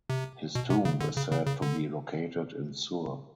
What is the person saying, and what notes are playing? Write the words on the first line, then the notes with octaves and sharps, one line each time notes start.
His tomb is said to be located in Sur.
C3
B2
C3
C#3
D3
C#3
C#3
C#3
D3